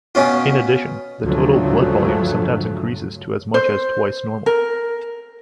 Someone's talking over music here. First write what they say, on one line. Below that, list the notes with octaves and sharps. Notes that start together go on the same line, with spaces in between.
In addition, the total blood volume sometimes increases to as much as twice normal.
B2 C#4 F4
D2 G2 C#3 F3 F#3 A3
C5
A#4